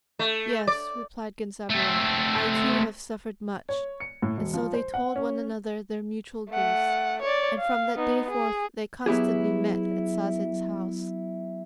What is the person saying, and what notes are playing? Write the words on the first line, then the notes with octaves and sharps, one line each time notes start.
"Yes," replied Genzaburo, "I too have suffered much;" and so they told one another their mutual griefs, and from that day forth they constantly met at Sazen's house.
A3
D5
A3 C4
C#5
C#7
A2
E1
F3
C5
F#5
C#4
A3 F#5
C#5 D5
F5
B3 D#4
G#4
F#3 B3 E4 G4 G#4